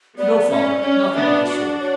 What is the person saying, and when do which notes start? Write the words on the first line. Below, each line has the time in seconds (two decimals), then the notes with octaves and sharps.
'No, father, nothing of the sort.
0.18 B3 D5
0.50 C#4 E5
0.56 D5
0.83 C#4 C#5
1.05 E5
1.15 B3 D4
1.27 D5
1.48 D4 F#4
1.80 C#5